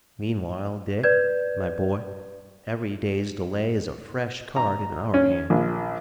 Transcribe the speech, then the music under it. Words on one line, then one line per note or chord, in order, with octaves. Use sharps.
Meanwhile, Dick, my boy, every day's delay is a fresh card in our hand.
B4 D5 G6 G#6
A#5
C#4
A#1